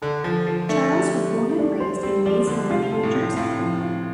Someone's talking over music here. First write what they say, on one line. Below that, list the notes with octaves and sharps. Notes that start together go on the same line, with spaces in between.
Charles was born and raised in Mays Landing, New Jersey.
D3 A4
F3 A4
F3 A4
A3 D4
G4
G3
A3
D4
C5
G3 C4
F3 D5
D3 G3
C3 F4
A4
A2
C4
A2 F4
F3
F4